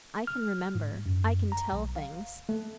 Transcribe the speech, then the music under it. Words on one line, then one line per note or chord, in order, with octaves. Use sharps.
I can remember; I can tell things!
F6
G#2
F#2
A#5
B1
F5
A3